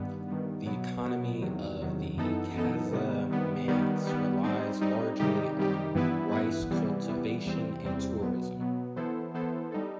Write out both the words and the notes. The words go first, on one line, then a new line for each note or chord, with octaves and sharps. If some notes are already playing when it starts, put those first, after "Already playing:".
The economy of the Casamance relies largely on rice cultivation and tourism.
Already playing: G2 D#3 G3 B3
G2 D#3 G3 B3
B2 F#3 B3
B2 F#3 B3
E2 C3 D#3 F#3
E2 C3 D#3 F#3
F#2 E3 B3 D#4 A4
F#2 E3 B3 D#4 A4
C3 D#3 G3 B3
C3 D#3 G3 B3
D#3 G3 B3
D#3 G3 B3
G3 C4 D#4
G3 C4 D#4
C3 D#3 G3 D#4 G4
C3 D#3 G3 D#4 G4
G2 E3 B3 E4 B4
G2 E3 B3 E4 B4
C3 E3 G3 B3
C3 E3 G3 B3
E2 C3 E3 G3 C4
E2 C3 E3 G3 C4
B2 F#3 B3
B2 F#3 B3
E3 B3 E4 A4 C5
E3 B3 E4 A4 C5
G3 D#4 A4